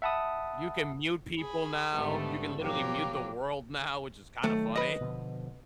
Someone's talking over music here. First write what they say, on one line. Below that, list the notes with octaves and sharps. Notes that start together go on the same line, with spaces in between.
You can mute people now. You can literally mute the world now, which is kind of funny.
E5 F#5 A5 B5 D#6
G#4 B5
G#2 D3 G3 A3 B3
B2 F3 F#3 A#3 G4
D#3 F#3 A3
B4 D#5
B2 D3 F3